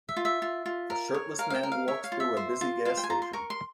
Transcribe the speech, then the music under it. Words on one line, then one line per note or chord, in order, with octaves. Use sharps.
A shirtless man walks through a busy gas station.
E5
F4
E5
F4
F4
A#4
C#5
A#4 F5
F5
G5
A#4
F5
C#5 E5
F5
F4
E5
C5
F4
C5 F5
G5
G#5
F4 A#5
C6
A#4 C#6
C6